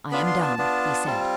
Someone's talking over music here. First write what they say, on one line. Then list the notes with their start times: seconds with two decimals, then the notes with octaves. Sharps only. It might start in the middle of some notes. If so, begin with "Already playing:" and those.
"I am dumb," he said.
0.11 B3 D4 F4 B5
0.27 C6
0.42 A5
0.58 B3 D4 F4
1.06 G3 C4 F4